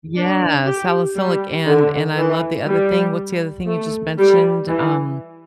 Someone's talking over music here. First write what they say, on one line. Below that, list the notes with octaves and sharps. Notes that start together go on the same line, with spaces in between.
Yeah, salicylic, and and I love the other thing. What's the other thing you just mentioned, um
D4
G4
G3
D3
E3
G3
A3
G3
E3